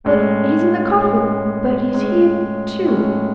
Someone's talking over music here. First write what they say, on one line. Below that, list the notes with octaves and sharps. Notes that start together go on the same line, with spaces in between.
But he's in the coffin ... but he's here, too.
A2 G#3 C#4
A2 G#3 C#4
A2 G#3 C#4
A2 G#3 C#4